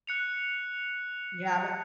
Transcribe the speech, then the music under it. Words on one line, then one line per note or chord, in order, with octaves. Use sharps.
You haven't?
F#6 C#7 F7